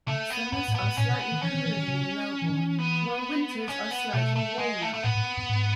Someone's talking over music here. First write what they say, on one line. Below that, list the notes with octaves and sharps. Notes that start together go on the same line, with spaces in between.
Summers are slightly cooler than in Melbourne, while winters are slightly warmer.
C#3 A3
B3
F#2 B3
G#2
B3
G#2
A2 C#4
B2
B3
D#3
E3 C#4
D#3
E3
D#3
C#3
E3
D#3
E3
B3
C#4
B3
B2 A3
A3
G#3
A3
A3
A2 B3
G#2
F#2
G#2